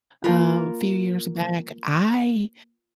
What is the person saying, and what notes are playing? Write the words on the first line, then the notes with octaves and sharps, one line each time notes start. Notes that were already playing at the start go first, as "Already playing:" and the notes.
uh, few years back, I
A#3 F4 A#4 B4